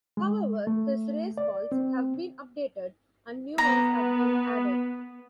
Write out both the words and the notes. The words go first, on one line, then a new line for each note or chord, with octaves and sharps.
However, his race calls have been updated, and new ones have been added.
G#3
A3
D5
C4
B3 A#5